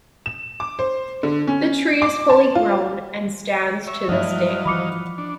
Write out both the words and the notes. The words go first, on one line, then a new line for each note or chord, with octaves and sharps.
The tree is fully grown and stands to this day.
E7
D6
C5
D3
C#4
D6
A5
F4
C#5 E5
G2 F3 F#3 A3 E4 D#5 F5
E3 F3 B5 D6 C#7
D4